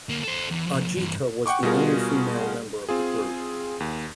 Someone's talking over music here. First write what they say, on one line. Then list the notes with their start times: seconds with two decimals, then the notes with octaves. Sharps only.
Ajitha was the only female member of the group.
0.09 D2 A#3
0.23 A4 C5
0.51 E2 E3
0.67 B1 F3
0.97 G2 E3
1.46 F#5 G5 C#6 D6
1.63 B2 G3 F4 F#4 G#4 A#4
2.89 C4 F4 G#4
3.80 D#2